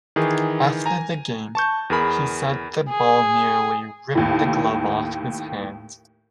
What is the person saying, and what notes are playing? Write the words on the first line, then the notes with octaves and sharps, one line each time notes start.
After the game, he said the ball nearly ripped the glove off his hand.
D#3 E3 G#4
G#5 A#5
A5 C#6 G6
E2 G#4 A#4 B5
G#4
D#2 A2